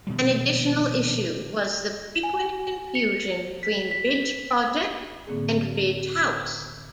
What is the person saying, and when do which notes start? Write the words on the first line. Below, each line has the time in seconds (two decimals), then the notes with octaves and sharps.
An additional issue was the frequent confusion between Ridge Project and Ridge House.
0.07 A#1 B2 D#3 G3
2.23 G#5
2.95 C#7
3.63 B6
3.91 B6
5.27 A2 D3 A#3 C4 G#4